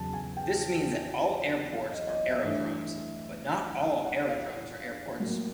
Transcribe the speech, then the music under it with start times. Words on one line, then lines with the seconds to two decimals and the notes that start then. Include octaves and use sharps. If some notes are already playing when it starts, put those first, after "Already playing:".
This means that all airports are aerodromes, but not all aerodromes are airports.
Already playing: E2 C#3 F#3 A5
0.13 G#5
0.37 G5
1.75 F5
1.92 D#5
2.08 D#5
2.27 E5
2.44 G2 E3 A3
3.81 F5
4.05 F#5
4.28 F5
5.20 A2 F#3 A#3